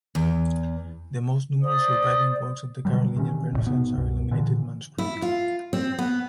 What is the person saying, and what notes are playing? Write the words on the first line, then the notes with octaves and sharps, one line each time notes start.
The most numerous surviving works of the Carolingian renaissance are illuminated manuscripts.
E2
C5 D5 D#6
B2 D3 F#3 G3
C3 D#3 E3 C#4
D#1 G#1 A2
G#2 B2 B3
C2 F#2
A#2 D3 E3
E4
F4
C4
B3